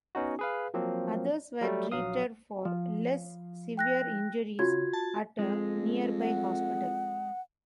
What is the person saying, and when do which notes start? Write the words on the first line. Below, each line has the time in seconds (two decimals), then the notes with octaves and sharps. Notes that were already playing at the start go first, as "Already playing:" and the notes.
Others were treated for less severe injuries at a nearby hospital.
0.15 B3 C#4 D#4 F#4
0.39 G#4 B4 F5
0.74 F3 F#3 A#3 C4
1.61 F#3 G3 A3
1.92 A#1 F#3 F5 D#6
2.65 F3
3.77 G5 F#6 A#6
4.59 C#3 F4 F#4 G#6
4.93 A5
5.39 F2 G#3
6.21 F#5